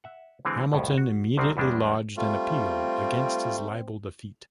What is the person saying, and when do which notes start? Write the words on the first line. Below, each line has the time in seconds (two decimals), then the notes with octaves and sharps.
Hamilton immediately lodged an appeal against his libel defeat.
0.04 E5 F#5
0.45 D3 E3 G#3 C4
0.73 C2 F2 A2
0.98 F#4
1.37 C2 D3 D#3 C4
1.57 E2 A2 G3 G#3 D4
2.17 G3 A3 C4 F4